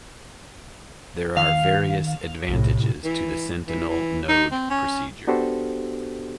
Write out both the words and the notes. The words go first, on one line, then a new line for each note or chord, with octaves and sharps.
There are various advantages to the sentinel node procedure.
D#3 F5
B1 A2 C3
E3
E3
E3
D#4
C4
C#4
B3 D4 F#4 G4 A4 C5